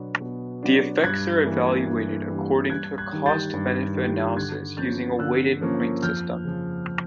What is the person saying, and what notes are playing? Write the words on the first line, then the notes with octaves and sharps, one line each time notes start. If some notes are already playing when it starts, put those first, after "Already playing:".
The effects are evaluated according to a cost-benefit analysis using a weighted point system.
Already playing: B2 F#3 B3 D4
B2
F#3 B3 D4
G2 F#6 G#6
E3 G3 A#3 D4
G2
E3 G3 A#3 D4
G2 F#6 G#6
F#6 G#6
D#3 G3
G6 A6
G2
D#3 G3
D3 F#6 G#6
F3 A#3 C#4 G6 A6
D3 E6 F#6
F3 A#3 C#4
F2 F6 G6
C#3 F3